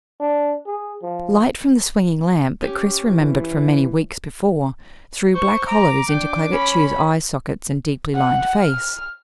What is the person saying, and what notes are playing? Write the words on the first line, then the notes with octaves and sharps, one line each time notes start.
Light from the swinging lamp that Chris remembered from many weeks before threw black hollows into Claggett Chew's eye sockets and deeply lined face.
D4
G#4
F3
C#4 G4
E3
C5 C#6
A#5 D6
D4 G5
C#4 B5
F#5
F6